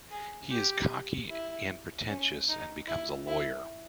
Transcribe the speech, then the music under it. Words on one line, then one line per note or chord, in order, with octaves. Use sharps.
He is cocky and pretentious and becomes a lawyer.
G#4
G4
E4
C#4
D#4
E4
E4